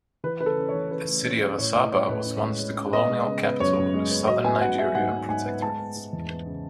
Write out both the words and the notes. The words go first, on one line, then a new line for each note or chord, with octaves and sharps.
The city of Asaba was once the colonial capital of the Southern Nigeria Protectorate.
E3 B4
C#3 B4
A4
C#4
C#5
E3
C#3 B4
A3
C#4
C#4
A2 C#5
A2 D#5
C#4 C#5
A2 B4
C#4
G#3
C#4
C#4
B3 D#5
G#3
C#3
B3
F#2 C#5
F#2
G#3
B3
F#3 D#5
B3 G#5
F#3 F#5
B3 E5
G#2 F#5
G#2
G#2 G#5
B3
G#3 A5
B3
G#3
E2
B3
C#3